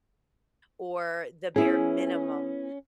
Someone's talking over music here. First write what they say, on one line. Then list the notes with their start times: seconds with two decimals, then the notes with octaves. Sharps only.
or the bare minimum.
1.56 B3 C#4 E4 G#4